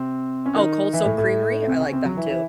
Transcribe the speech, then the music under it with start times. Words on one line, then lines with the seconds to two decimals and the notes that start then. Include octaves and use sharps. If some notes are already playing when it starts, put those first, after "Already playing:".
Oh, Cold Stone Creamery? I like them too.
Already playing: C3 C4
0.46 C#4
0.55 D#3 D#4
0.93 E3 E4
1.05 A2 A3
1.18 A2 A3
1.59 A3
1.67 C3 C4
1.81 C#3 C#4
1.92 C3 C4
2.05 F#3
2.17 E3 E4
2.29 E3 E4